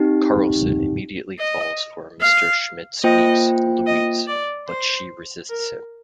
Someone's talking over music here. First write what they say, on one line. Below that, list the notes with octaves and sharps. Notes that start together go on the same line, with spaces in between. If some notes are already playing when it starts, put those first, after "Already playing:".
Carlson immediately falls for Mr. Schmidt's niece, Louise, but she resists him.
Already playing: C4 D#4 G4
D#5
F5
A#3 F4 C5 D#5 G5
D#5
D5
C5
A#4